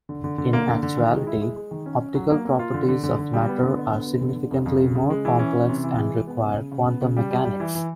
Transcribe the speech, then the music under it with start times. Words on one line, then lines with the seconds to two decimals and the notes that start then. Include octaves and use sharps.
In actuality, optical properties of matter are significantly more complex and require quantum mechanics.
0.09 D3
0.24 D3
0.38 D3
0.53 A#3
0.68 D3
0.83 D3
0.97 D#3
1.12 G#3
1.27 E4
1.42 G#3
1.56 G#3
1.71 D#3
1.86 C#4
2.00 C#4
2.15 F#3
2.30 A#3
2.45 A#3
2.59 F4
2.74 D3
2.89 D3
3.04 D3
3.19 D3
3.33 G3
3.48 B3
3.63 D3
3.77 B3
3.92 D3
4.07 B3
4.21 D3
4.36 D3
4.51 F2
4.66 F2
4.80 C#3
4.95 C#3
5.10 G#3
5.25 E3
5.39 C#4
5.54 E3
5.69 C3
5.83 E3
5.98 G#3
6.13 G#3
6.27 B3
6.42 C#3
6.57 C#3
6.72 C#3
6.86 B3
7.01 C#3
7.16 G3
7.31 G3
7.45 G3
7.60 E3
7.75 E3